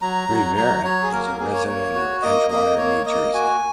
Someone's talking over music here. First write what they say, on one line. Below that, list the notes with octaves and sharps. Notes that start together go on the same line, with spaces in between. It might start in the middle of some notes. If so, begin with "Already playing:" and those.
Rivera is a resident of Edgewater, New Jersey.
F#3 A#5
F#3
F#3 A#5
F#3 C#5
G#4
A#3 A#4
A#4
A#3 G#4
C#5
A#3 C#5
F#4
A#3 D#5
A#3 D#5
A#3 C#5
A#3 D#5
F#4 G#5